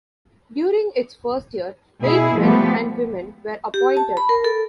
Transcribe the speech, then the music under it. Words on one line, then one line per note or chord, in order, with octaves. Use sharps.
During its first year, eight men and women were appointed.
B2 E4 G#4
F3 G3 A3 B3 G4
G4
A5
B5
A#4
A4